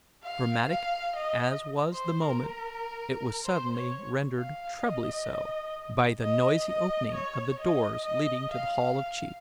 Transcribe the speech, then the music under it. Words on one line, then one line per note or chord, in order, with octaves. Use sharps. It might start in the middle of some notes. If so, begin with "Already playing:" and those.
Dramatic as was the moment it was suddenly rendered trebly so by the noisy opening of the doors leading to The Hall of Chiefs.
F5
F5
D#5
C5
A#4
C5
C#5
F5
D#5
D#5
D#5
C#5
D#5
D#5
F5
F5